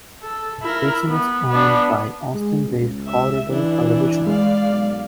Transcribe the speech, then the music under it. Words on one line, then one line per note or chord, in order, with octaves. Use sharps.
The station is owned by Austin-based Corridor Television.
A4
E4 A#4
B3
B3 D4
G#3
C#2
E5
E3 D4 E4
G#3 D5 F5
B1